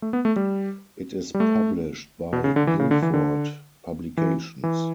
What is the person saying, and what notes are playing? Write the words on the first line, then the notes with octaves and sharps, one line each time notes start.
It is published by Guilford Publications.
A3
B3
A3
G3
G3
A3
B2
C#3
D3
E3
C#3
D3
E3
D3
E3
E3